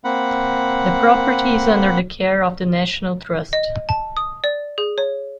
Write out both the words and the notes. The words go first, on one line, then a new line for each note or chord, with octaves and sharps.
The property is under the care of the National Trust.
A#3 C4 F#5 B5
D#5
A5
D#6
D5
G#4
C#5